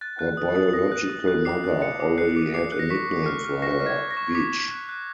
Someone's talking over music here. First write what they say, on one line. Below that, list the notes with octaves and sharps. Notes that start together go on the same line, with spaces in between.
Her biological mother already had a nickname for her, beach.
F#6 A6
F#6
D#6
D#6
D#6 A#6
F#6
D#6
F#6
D6 C7
F#6
F#6 C#7
D6
F#6 C7
D6
D6 C7
F#6
A#6
C#6 B6
C#6
F6
F6
C#6 A#6
F6
G#6
C#6
A#6
C#6
D6 B6
D6
F#6
F#6